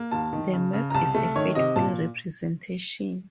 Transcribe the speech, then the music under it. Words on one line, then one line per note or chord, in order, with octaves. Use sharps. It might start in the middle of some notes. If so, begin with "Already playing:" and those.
The map is a faithful representation.
Already playing: A#3
D#2 A5
D#3
C#3
C#3
A#5
C2 A5
A3
D#3 C#5
C3 D#5
A#2 A5